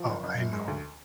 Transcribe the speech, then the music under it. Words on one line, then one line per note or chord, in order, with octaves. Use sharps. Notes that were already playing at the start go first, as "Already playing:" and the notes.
Oh, I know.
Already playing: F3
F#1
F#1
F#2
G#3
D2